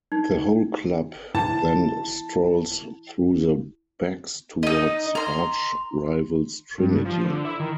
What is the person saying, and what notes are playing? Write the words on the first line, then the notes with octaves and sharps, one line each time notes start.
The whole club then strolls through the backs towards arch-rivals Trinity.
D#4
E4 A5
D#4 D#5
A#5 C6
G2
F3
D3
E4
D#3